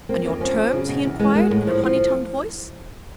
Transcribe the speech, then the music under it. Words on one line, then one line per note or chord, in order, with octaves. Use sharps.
'And your terms?' he inquired, in a honey-tongued voice.
A#3 C4
F2 C#4
F3 C#4
F2
C#3
B2
E2
G#3 B3
G#3 A#3
A2 B3
F3
F3 F4